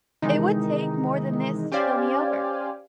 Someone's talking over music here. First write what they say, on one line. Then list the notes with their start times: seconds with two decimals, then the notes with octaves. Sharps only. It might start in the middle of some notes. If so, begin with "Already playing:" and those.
It would take more than this to keel me over.
0.22 C3 D#3 E3 G#3 D#4
1.72 C#4 G4 C5 D5 F5 G#5